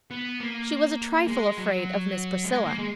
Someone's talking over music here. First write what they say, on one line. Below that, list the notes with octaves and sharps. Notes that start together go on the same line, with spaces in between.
She was a trifle afraid of Miss Priscilla.
B3
A#3
G#3
F#3
G#3
A#3
G#3